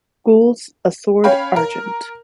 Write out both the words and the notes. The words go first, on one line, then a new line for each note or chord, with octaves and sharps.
Gules a Sword Argent.
C#4 C#5 F5 G5 B5
A#4